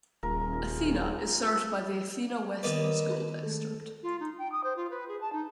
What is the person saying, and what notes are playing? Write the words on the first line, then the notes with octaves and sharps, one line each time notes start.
Athena is served by the Athena Weston School District.
D#1 F4 G#4 A#4
D#2 B3 A#4 B4 D5 D#5
G#3 A3 A4
F4
D#4
G5
D#6
C5
F4
B4
G#4
A5
D#4